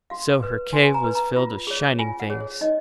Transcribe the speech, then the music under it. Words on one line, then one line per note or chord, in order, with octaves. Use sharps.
So her cave was filled with shining things.
F#4 F5
B4
F#4 G#5
G#5
A#5
B4
A#5
F4
G#4 C#5
F4 G#5
F#5
G#4 C#5
C#5
D#4 D#5